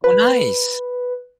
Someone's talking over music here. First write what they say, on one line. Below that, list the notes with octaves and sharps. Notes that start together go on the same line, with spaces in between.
Oh, nice.
B4